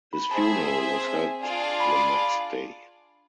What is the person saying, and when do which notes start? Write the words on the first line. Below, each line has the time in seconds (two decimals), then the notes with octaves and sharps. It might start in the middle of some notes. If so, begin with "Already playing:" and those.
His funeral was held the next day.
0.13 B5
0.31 C4 G#4 C5 E5 A5
0.88 A5
1.15 G#5
1.43 D4 F4 G#4 D5 F5 G#5
1.62 A5
1.80 B5
1.99 B5